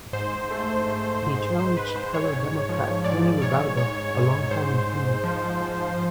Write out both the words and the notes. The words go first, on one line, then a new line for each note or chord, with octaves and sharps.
He challenged fellow Democrat Tony Ribaudo, a longtime incumbent.
G#2 C5
A3
G#2
G#2
G#2 C5
B4
G#2 C5
C#5
G#2
F3
G#2 D5
G#2 C#5
G#2 C#5
G#2
G#2 C5
G#2
F3
G#2